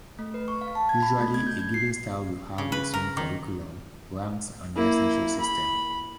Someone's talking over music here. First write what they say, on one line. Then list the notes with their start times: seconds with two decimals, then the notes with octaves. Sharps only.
Usually a given style will have its own curriculum, ranks and licensure system.
0.19 A3
0.34 B4
0.48 C#6
0.61 F5
0.75 A5
0.89 G#6
1.03 B5
1.19 A3
1.34 G#6
1.47 G6
1.59 G#6
1.74 C7
2.58 C#3
2.72 B4
2.93 A#4
3.17 D#3
4.75 A#3 E4
5.41 B5